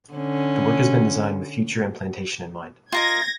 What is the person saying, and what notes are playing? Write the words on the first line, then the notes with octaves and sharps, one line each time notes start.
The work has been designed with future implantation in mind.
D3 C#4
F4 A#4 D#5 G#6 A#6